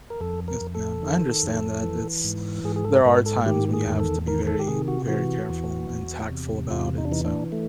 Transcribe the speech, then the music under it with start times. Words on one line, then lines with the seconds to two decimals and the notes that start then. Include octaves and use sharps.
Yes, ma'am, I understand that, it's there are times when you have to be very very careful and tactful about it, so
0.10 A#4
0.20 F2 A4
0.48 A#4
0.61 F2
0.75 A4
1.02 D#3
1.43 F2
1.83 E3
2.24 G#2
2.64 G#2 G#4
2.76 G#4
2.85 A4
3.05 G#2 A#4
3.26 A4
3.46 D#3 G4
3.73 G#4
3.86 E2
4.00 A4
4.27 D#3 A#4
4.47 A4
4.59 G4
4.68 C3 G#4
4.88 F#4
5.08 E3 F#4
5.50 E2
5.90 E2
6.31 C3
6.71 E2 F4
6.98 D#4
7.05 D4
7.12 E3 D#4
7.25 D4
7.52 A3